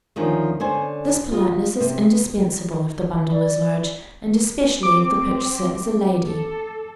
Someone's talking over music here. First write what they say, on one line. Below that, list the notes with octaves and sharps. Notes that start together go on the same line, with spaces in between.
This politeness is indispensable if the bundle is large, and especially if the purchaser is a lady.
D2 D#3 F3 C#4
D3 C#4 C5 G#5
F4 D#5
C3
D5
C4 D6
A4